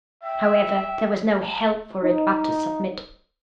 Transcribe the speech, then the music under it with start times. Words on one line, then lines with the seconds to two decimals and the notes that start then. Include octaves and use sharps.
However, there was no help for it but to submit.
0.23 E5 G5
2.03 D#4